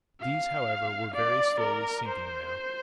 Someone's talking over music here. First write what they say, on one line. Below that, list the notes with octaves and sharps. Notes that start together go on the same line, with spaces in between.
These, however, were very slowly sinking, now.
F5
D5
A#4
C5